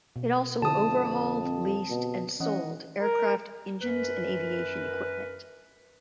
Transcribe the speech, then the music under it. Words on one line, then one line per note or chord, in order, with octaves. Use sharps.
It also overhauled, leased and sold aircraft, engines and aviation equipment.
B2
F2 D3 E4 A5 D#6
C4
B2
E3 C#4 D#5 F#5
A#4
F#2 A#4 B4